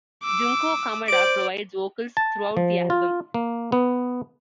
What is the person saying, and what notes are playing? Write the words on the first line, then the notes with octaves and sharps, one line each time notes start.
Junko Kamada provides vocals throughout the album.
D6 E6
C5 D5 D7
A5
F3
F4
A#3
B3